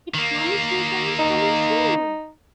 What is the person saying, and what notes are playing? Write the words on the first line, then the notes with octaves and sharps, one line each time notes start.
It promised new products "coming soon".
D#3 A#3
D#4